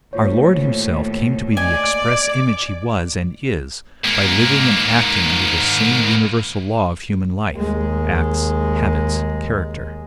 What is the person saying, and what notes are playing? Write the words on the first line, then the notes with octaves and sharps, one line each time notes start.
Our Lord Himself came to be the express image He was and is by living and acting under this same universal law of human life--acts, habits, character.
D#2 A2 F4 C5 C#5
D5 D#5 G#5 D6
G#2 A#3
D#2 G#3